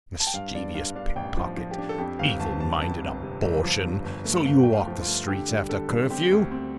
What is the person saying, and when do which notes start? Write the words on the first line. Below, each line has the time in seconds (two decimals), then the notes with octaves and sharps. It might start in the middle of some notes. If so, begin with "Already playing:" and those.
Mischievous pick-pocket, evil-minded abortion, so you walk the streets after curfew?
0.20 A5
0.27 G5
0.34 G2 F5
0.55 G2 D5
0.75 G2 F5
0.95 D4 F5
1.16 A1 G5
1.37 F3
1.57 F3
1.71 G4
1.78 D4
1.89 A4
1.98 F2 G4
2.19 G1 F5
2.40 G1 A5
2.60 G1 A5
2.81 F2 A5
3.02 G1
3.23 C3
3.42 G1
3.64 F3
3.84 G2
4.04 G1
4.25 A3
4.45 G1 F5
4.63 A3 G5
4.73 F5
4.87 F3
5.01 F4
5.08 A3
5.28 D3 G4
5.49 G3
5.69 D3 A4
5.90 G3
6.10 C4 G4
6.32 D2
6.51 C4